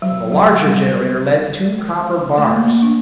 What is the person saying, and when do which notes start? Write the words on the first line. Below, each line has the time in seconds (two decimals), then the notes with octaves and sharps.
From the larger generator led two copper bars.
0.02 F#3
0.32 F#3
0.61 G3
1.78 G#3
2.38 A3
2.52 A#3
2.67 A#3
2.82 D4